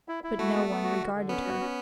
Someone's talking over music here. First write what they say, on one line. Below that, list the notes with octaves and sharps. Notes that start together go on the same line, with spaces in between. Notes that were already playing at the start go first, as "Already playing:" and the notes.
But no one regarded her.
E4
E4
A3 F#4
B3
B3
F#4
D3
D3
B3 C#4
F#4
C#4